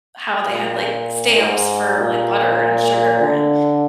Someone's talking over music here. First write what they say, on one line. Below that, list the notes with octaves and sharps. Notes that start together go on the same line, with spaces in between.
how they had, like stamps for, like butter and sugar and
A#2
G#2
A#2
D3